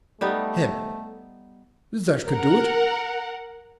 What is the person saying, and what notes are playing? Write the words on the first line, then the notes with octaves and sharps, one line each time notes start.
HIM: That could do it.
G3 A3 B3 D#4
A#4 F#5